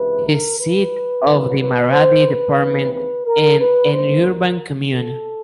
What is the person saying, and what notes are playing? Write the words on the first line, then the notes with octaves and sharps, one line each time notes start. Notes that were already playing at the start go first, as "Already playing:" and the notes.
It is seat of the Maradi Department and an Urban Commune.
Already playing: C#2 C3 E3 B4
A#4
B4
C2 B2 F#3 A#3
B4
C5
B4
D#2 C#3 E3 G#3 C4
B4
A#4
B4
G#1 G2 D#3 G3 A#3 C5
A#4
A4